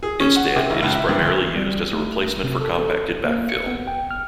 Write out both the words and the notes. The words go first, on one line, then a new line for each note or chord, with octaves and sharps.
Instead, it is primarily used as a replacement for compacted backfill.
G#4
C#4
F#5
C3
G#1
C#2
E5
G2
D2
G3
A3
C3
A4
A#3
C#7
B3
G5
F6